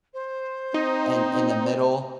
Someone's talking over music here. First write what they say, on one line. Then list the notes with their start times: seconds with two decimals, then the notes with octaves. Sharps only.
in in the middle,
0.14 C5
0.74 C4 D#4